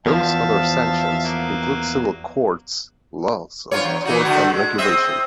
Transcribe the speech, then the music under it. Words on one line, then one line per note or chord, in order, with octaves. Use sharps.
Those other sanctions include civil courts, laws of tort and regulation.
E2 F3 E5 F5 A5
F#3 A#3
G2 F4 C#5
E2
E3 D#4 F#4
D3 A3 F#4
G#3
C4 D#5 E5